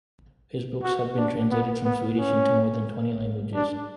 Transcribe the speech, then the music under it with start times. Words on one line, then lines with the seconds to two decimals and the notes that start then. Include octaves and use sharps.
His books have been translated from Swedish into more than twenty languages.
0.83 F#4
1.17 D4
1.51 B3
1.84 B3
2.18 C#4
3.54 D4